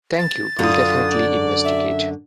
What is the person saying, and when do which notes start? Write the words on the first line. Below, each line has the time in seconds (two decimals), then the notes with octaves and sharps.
Thank you. Will definitely investigate.
0.19 A6
0.59 F#2 D3 F4 D#6
1.11 D5
1.65 E5